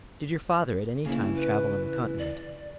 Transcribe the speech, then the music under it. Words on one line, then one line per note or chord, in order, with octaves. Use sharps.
"Did your father, at any time, travel on the continent?"
C#3 E3 A#3 E4
B4
D5